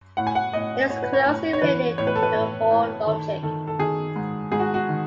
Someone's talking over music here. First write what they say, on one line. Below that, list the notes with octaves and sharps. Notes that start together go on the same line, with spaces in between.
It is closely related to Hoare logic.
A2 F#5
G#5
F#5
A2 D#5
A2 C#5
B4
C#5
A2
C#5
E3 B4
A2 C#5
B4
A4
B4
A2
A2
D#3 A4
D#3 A4
A4
D#3 G#4
G#2
G#2 G#4
F#4
F#4
D#3